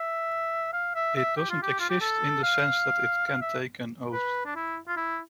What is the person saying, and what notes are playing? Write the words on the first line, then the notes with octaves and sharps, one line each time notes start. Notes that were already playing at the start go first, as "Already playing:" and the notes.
It doesn't exist in the sense that it can take an oath.
Already playing: E5
F5
E5
E5
G4
F4
G4
F4
G4
A4
F5
F5
E5
B4
D4
E4
F4
E4